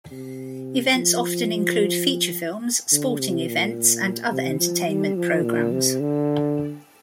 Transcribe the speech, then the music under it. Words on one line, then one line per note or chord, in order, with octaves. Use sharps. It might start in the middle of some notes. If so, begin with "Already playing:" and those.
Events often include feature films, sporting events, and other entertainment programs.
C3
F3
D3
C3
A#2
C3
F3
G3
F3
A#2
C3
D3